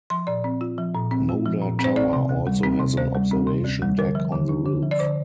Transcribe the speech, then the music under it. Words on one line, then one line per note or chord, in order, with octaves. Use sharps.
Moda Tower also has an observation deck on the roof.
F3 C6
A#2 D5
C4
F4
F3
A#2
C4
F4
F3
A#2
C4
C5
C4 D5
C3
D2
G3
C4
C3
D2 C5
G3
C4
C3
D2
G3
D3 A#4
F3
D3
D4
D3
F3
D5
D3 C5